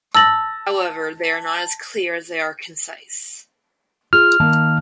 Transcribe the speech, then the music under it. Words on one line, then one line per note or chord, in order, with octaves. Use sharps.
However they are not as clear as they are concise.
A5 E6 A6 A#6 F#7
F4 G#4 F6
D#3 A#3 A5